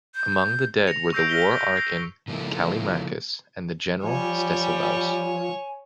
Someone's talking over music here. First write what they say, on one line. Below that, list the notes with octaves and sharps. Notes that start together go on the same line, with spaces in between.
Among the dead were the war archon Callimachus and the general Stesilaos.
G6
A#6 C#7 F7
C#6 E6 G6 A#6 C7 D7
F6 A#6 B6 F7 G7
C7
C#3 F3 A#3 C4 E4 A4
F3 G3 C#5 G#5